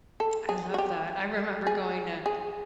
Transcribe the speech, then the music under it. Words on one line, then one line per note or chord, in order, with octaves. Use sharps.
I love that. I remember going to,
A4
G#4
F#4
G4
G#4
G#4